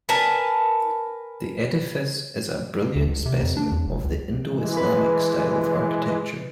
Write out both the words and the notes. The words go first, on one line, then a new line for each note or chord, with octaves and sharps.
The edifice is a brilliant specimen of the Indo-Islamic style of architecture.
A#4 B4 G#5 A5
D2
C#2
C3
F2
D4
E2
F1
C#2
E3 G#3
B4